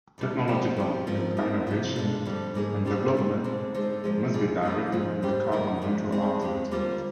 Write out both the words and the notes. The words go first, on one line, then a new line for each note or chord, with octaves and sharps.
Technological innovations and development must be directed in the carbon neutral alternatives.
F2 D3 G3
F3 C4 G4
F3 C4 G4
G#2 F3 C4 F4 A#4
G3 C4 D#4 A#4
C3 F3 C4 F4
G2 D3 G#3 D4
F2 D3 G3
G#2 F3 A#3 D#4 G#4
A#2 G3 D4 G4 C5
A#2 G#3 C4
D3 G#3 C4
D3 G#3 D#4 G#4 C5
A#2 F3 G#3
G3 D4 F4 G#4
F3 A#3 D4 F4
G#2 F3 G#3 D#4
G#2 G3 D4 G4 C5
D#3 A#3 D#4 A#4
F3 G#3 D4 F4
G#3 C4 D#4 G#4
D3 G#3 C4 G4
D3 G3 A#3 F4 C5